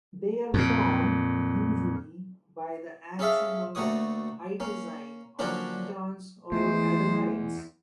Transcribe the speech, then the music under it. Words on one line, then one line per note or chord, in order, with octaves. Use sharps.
They are formed usually by the action of hydrazine on ketones or aldehydes.
F2 A#2
C#4 G#4 A4 E5 F5
D2 A3 A#3 F#4 C#5 D#6
A#3 C#4
D3 F3 F#3 A#3 C#4 D4
E2 E3 G#3 A3 C5